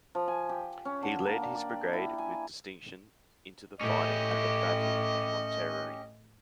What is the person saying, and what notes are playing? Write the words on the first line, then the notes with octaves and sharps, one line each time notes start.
He led his brigade with distinction into the fighting at the battle of Monterrey.
F3
G#5
G4
C#4
D3
A#3
D5
D5
G4
E4
G#5
A2 C#4 G4 D#5